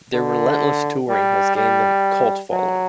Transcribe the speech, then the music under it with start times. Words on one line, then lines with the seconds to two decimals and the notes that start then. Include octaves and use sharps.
Their relentless touring has gained them a cult following.
0.14 D3
1.09 G3
1.55 G3
2.50 F#3